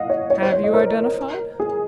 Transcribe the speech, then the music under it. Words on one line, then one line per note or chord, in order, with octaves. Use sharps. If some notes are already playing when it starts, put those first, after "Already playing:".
'HAVE you identified?'
Already playing: D#5 F5 F#5
C#5
C#5
C5
C#5
D#5
A#4
G#4